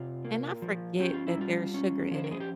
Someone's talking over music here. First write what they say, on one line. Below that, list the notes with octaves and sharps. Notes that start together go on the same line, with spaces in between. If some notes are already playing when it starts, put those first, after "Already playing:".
and I forget that there's sugar in it
Already playing: C3 F4
A#3
F3
C#4 G4
F4
E4
G3 F4
C#4
F3 C5
A#4
G#4
G4